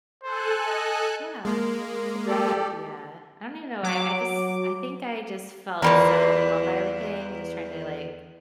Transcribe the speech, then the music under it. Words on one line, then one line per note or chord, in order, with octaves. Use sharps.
Yeah. That's a great idea. I don't even know. I I just I think I just felt so overwhelmed by everything. Just trying to, like,
A4 C5 G#5 F#6
D#5
G#3 A#3
G4 A4 D5
F#3 D6
E2 F3 G3 A#3